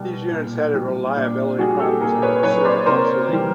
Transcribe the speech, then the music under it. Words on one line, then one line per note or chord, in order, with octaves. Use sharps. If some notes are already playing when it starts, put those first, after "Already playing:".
These units had reliability problems and were soon obsolete.
Already playing: B2 G3
A#2
G3
A#2 D4
G3 F#4 G#4
G4 A4
A#2 G#4 A#4
B4 C#5
F#3 B4 C#5
C5 D5
C3 A#4 C5
E3 G3